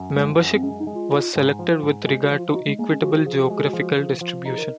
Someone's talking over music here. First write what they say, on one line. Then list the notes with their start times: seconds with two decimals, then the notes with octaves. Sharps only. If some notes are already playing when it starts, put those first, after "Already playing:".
Membership was selected with regard to equitable geographical distribution.
Already playing: F#2
0.15 F3 G#3
0.39 F#2
0.54 C4
0.63 G#3 C#4
0.80 D#4
0.87 G#3
0.95 F4
1.11 D#4
1.36 G#2
1.59 F3
1.82 G#2
2.06 G#3 F#4
2.23 F#4
2.31 F3
2.38 F4
2.54 D#4 F#4
2.67 G#3
2.78 G#3 A#3
2.91 C#4
3.02 F3 F#4
3.11 G#4
3.18 F#4
3.26 F3 G#4
3.34 F#4
3.42 G#4
3.50 G#3 F#4
3.58 G#4
3.66 F#4
3.73 F3 G#4
3.82 F#4
3.97 F3 G#4
4.21 F3
4.45 D#4 G#4
4.58 A#4